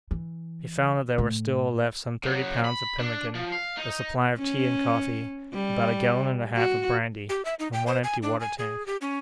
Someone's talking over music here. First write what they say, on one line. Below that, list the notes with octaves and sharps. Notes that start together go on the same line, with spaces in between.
He found that there were still left some thirty pounds of pemmican, a supply of tea and coffee, about a gallon and a half of brandy, and one empty water-tank.
E3
A2
C#3 F#3
B5
D4
F3
F5
D#4
C#4
G3
F#4
G4
E5
D#4
G5
C5
G#5
D4
G#5
G#4
G4
C#4